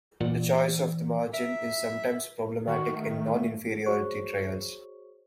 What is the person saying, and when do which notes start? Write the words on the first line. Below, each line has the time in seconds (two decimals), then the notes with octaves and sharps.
The choice of the margin is sometimes problematic in non-inferiority trials.
0.21 A#2 E3 D5 F#5
1.34 A#4 E5
2.67 D#3 F#4
2.96 A3
3.86 F#4 G#4 C5 C#5 C#6